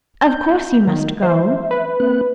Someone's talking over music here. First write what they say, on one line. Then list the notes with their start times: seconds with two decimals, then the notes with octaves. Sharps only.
Of course you must go.
0.22 G6
0.87 D#3
1.22 C5 E5
1.71 B4
2.00 A#3 C4 F#6